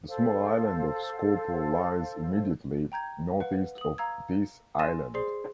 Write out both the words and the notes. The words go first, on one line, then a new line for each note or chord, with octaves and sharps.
The small island of Skorpo lies immediately northeast of this island.
A4 C5 F5
G5 A#5 G6 G#6
B4 F5 F#5
D#6 F#7
F5 A#5 E6 G#6
G#5 C6 A6 A#6 D#7 E7
G#4 C5 D5 C6 C7